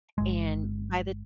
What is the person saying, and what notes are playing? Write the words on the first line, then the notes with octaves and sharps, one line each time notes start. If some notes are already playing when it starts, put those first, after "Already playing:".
and by the
G1 G#3